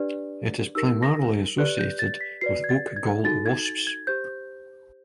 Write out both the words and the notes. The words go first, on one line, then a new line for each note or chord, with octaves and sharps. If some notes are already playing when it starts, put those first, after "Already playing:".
It is primarily associated with oak gall wasps.
Already playing: D4 G4 B4 D5
D#4 G4 A#4 E6
A#6
G4 B4 D5 F#6
G6
A6
B6
F#4 B4 D5 C7
G#6
A6
G#6
D#4 F#4 A4 A6
G#6
A6
G#6
G4 C5 G6